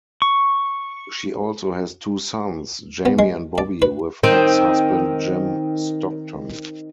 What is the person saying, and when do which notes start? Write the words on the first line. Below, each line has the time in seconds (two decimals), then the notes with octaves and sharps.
She also has two sons, Jamie and Bobby, with ex-husband Jim Stockton.
0.22 C#6
3.06 B3
3.19 G#3
3.58 D5
3.82 B4
4.23 D#3 C4